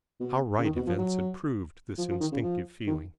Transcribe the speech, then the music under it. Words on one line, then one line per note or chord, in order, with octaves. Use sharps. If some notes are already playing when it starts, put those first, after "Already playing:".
How right events had proved this instinctive feeling.
B2
C#3
D#3
B2
F3
F#3
F3
F3
D#3
C#3
F3
D#3